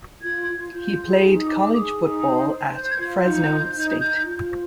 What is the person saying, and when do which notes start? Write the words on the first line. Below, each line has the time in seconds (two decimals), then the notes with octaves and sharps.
He played college football at Fresno State.
0.21 F4 G#6
0.47 F4
0.72 F4 G6
0.97 G#4
1.22 D#4
1.36 D#6
1.47 G#4 D6
1.61 D6
1.73 G#4 D#6
1.99 D#4
2.23 C5
2.49 C5
2.74 C5 G6
2.90 G#6
2.99 F4
3.07 G6
3.24 D#4 G6
3.49 C5
3.74 D#4
3.99 D#4
4.25 F4
4.51 C5